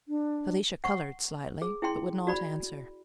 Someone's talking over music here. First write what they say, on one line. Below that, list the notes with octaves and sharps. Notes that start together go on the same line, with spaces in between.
Felicia colored slightly, but would not answer.
D4
F#5 C#6
G#4
E4 G#4 G5 C6
F#4 D5 B5